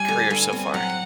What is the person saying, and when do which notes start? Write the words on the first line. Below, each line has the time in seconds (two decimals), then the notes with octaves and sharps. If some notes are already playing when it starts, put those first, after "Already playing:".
career so far?
Already playing: G3 G#5
0.08 D3
0.30 G2 G#5
0.53 C4
0.73 F#3 F#5